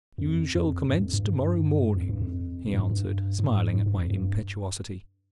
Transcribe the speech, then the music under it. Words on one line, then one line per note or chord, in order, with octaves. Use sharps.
"You shall commence to-morrow morning," he answered, smiling at my impetuosity.
F2
F2
G2
F2
G2
G2
F2
G2
F2
F2
G#2
G2
G2
G#2
G#2
G2
F2
G2